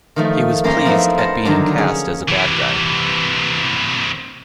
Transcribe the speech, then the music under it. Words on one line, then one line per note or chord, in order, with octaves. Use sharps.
He was pleased at being cast as a bad guy.
D#3 F3 A3
F#2 A#3 C#4 C5 A#5 C6
F3 A3 B3 C4 D#4 E4
A#4 C5 F#5 A5
D3 D#3 F3 F#3 A#3 D4
C#4 G#4
C3 E3